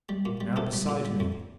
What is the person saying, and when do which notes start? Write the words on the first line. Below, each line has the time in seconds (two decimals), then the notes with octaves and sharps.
Now beside me!
0.09 G3
0.25 A#2
0.41 G3
0.56 A#2 A4
0.73 G3
0.89 A#2
1.05 G3
1.20 F2